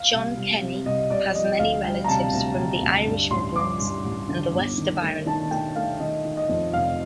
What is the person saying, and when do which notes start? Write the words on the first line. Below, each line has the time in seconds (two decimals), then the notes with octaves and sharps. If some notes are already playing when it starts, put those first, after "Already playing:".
Jon Kenny has many relatives from The Irish Midlands and the West of Ireland.
Already playing: F5
0.13 C2
0.37 C2
0.61 C3
0.85 C2 D#5
1.10 C2 D5
1.35 F3 D#5
1.59 D2 F5
1.84 G3 G5
2.04 A#5
2.08 C3 A5
2.33 D2
2.57 D2
2.81 D2
3.06 G2
3.30 A1 C6
3.55 G2 D6
3.80 G2
4.04 A1
4.29 D3
4.53 G1
4.78 D#3
5.02 A3
5.26 D#3 A5
5.51 A3 G5
5.76 A3 F5
6.00 D#3 D#5
6.25 D#3
6.37 D#5
6.49 F2
6.73 F1 F5